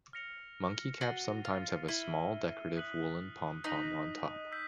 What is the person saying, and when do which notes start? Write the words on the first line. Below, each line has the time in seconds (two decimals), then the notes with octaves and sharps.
Monkey caps sometimes have a small, decorative, woollen pom-pom on top.
0.13 F6 A#6 C#7 F7
1.01 F#4 F6 A6 C7 D#7 G7
1.45 F4
1.88 E4 F6 A6 C7 D#7 G7
2.76 D#6 F#6 B6 D#7 F#7
3.64 D#4 D#6 F#6 B6 D#7 F#7
4.52 E6 G6 B6